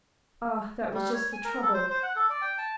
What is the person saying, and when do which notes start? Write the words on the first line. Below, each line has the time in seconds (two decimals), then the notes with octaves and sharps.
Ah, that was just the trouble.
0.94 G3
1.14 C#5
1.33 G#5
1.44 A#4
1.62 A4
1.74 C5
1.90 C5
2.03 F#5
2.16 A4
2.30 D5
2.42 G5
2.58 A5